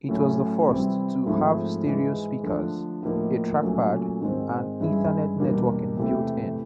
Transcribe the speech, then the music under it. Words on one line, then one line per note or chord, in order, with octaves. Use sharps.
It was the first to have stereo speakers, a trackpad, and Ethernet networking built-in.
A2 F#3 A3 C#4
C3 E3 G3 C4 E4
G#2 F3 A3 C4 E4
G#2 E3 G#3
D3 F3 A3 D4
A2 F3 A#3 D#4
A#2 F#3 A3 C#4
G#2 D#3 G#3 C4
G2 E3 G#3 C#4 E4
E2 B2 G3 A#3 D4
E2 C3 E3 A3